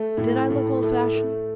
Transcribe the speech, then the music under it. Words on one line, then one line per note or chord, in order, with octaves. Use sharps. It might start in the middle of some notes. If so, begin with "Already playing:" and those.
Did I look old fashioned?
Already playing: A3
A2
A2
A3
A3